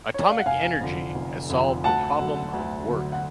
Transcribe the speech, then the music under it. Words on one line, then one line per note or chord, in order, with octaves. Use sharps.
Atomic energy has solved the problem of work.
C#5
D5
F5
F#5
F1 F5 G#5
F2 D3
F1
F2 D3
D2 F#5 A5
D3 F#3
D2
D3 F#3
F#5